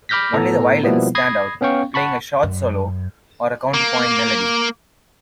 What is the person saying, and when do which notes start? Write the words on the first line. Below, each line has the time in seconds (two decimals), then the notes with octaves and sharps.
Only the violins stand out, playing a short solo or a counterpoint melody.
0.09 B5 D6 F6 G6 A#6 B6
0.33 A2 B3 A4 A#5
0.83 B2 F3 G3 A#3 B3 E4
1.15 B5 D#6 G#6 A#6 C7
1.61 B3 C#4 F5 G5 C#6
1.94 F#5 A5 B5 C#6
2.43 F#2
3.74 A#3